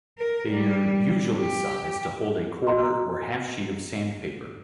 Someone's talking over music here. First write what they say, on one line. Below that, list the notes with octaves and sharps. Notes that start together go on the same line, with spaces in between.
They are usually sized to hold a quarter or half sheet of sandpaper.
A#4
G3
G4
F#4 D#5 A#5 C6